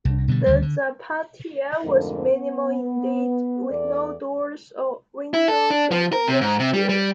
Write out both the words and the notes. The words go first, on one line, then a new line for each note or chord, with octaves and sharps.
The Zapatilla was minimal indeed, with no doors or windows or reverse gear.
C2
B2 D3 F#3 G3
D2 C#3 G3
D3
F2 G#2 D3 A3 A#4
B3
E2 A4 D5
E4
A4
D4
F3
A#4
C3
G#2
C3
G3
G3